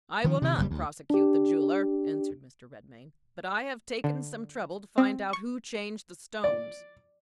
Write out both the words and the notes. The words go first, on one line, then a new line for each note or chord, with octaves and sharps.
"I will not prosecute the jeweler," answered Mr. Redmain; "but I have taken some trouble to find out who changed the stones."
D#3 F3
C3 D#3
F#1 E2 G3
D2
D4 G4
D3
C4
C#6
D5